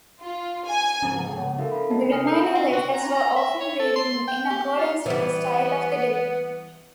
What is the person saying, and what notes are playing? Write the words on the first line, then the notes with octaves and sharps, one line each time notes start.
The remaining letters were often rewritten in accordance with the style of the day.
F4
G#5
C#5
D#4 F#4 A4 A#4 E5 F5
A4 A#4 B5
D#4 F#4 A#4 C#5 D#5 A5
G5 A5 D#6 F6 A#6 C7
A4 A#4 E6 G6
C4
F#4
A#5
A#5
E5
C#5
A4
C6
G5
G4
F4
E3 G3 B3